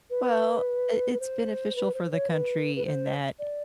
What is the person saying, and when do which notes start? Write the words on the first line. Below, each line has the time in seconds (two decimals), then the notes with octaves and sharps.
Well, i it's beneficial for the country in that,
0.10 B4
1.20 C5
1.76 B4
1.94 C5
2.12 C#5
2.30 B4
2.76 B4
2.85 C5
3.39 D5